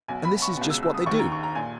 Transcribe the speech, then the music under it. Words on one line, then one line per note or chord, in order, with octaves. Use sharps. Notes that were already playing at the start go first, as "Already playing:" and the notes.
And this is just what they do.
B1 B2 G#5
B5
C#6
C#2 B2
E6
E6
D#6
D#2 D#3 C#6
A#5
C#6
A#5
A#2 G#5